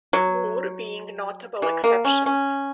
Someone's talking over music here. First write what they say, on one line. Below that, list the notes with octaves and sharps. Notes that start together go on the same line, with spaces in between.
Moore being notable exceptions.
F#3
E3
A#3
C#4
C#4